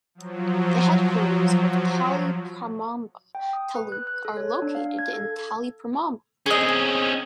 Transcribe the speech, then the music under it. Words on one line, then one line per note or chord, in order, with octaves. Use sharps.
The headquarters of Taliparamba Taluk are located in Taliparamba.
F3 F#3
G5
D#6
B4
F#6
F#6
A4
C#5
D4
F5
G#6
A4
C4 C#4 G#4 D#5